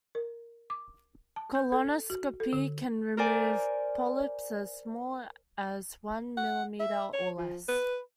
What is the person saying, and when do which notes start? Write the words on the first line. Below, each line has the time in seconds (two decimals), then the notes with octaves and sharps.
Colonoscopy can remove polyps as small as one millimetre or less.
0.15 A#4
0.70 D6
1.36 A5
1.55 G6
1.72 A4
2.10 F#4
2.40 A4
2.53 D3
3.17 A#4 C5 D5 G#5
6.38 F#5
6.80 E5
7.13 C#5
7.38 F3
7.68 B4